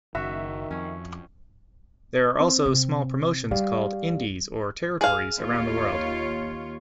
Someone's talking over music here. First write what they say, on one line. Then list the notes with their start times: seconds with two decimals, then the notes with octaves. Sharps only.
There are also small promotions called indies or territories around the world.
0.15 F#1 D#3 F#4 E5
0.71 F2 C#4
2.40 C4
2.65 C3
3.51 G3 G4 D5 F5
5.01 G#4 F5
5.39 D#2 F4 C#5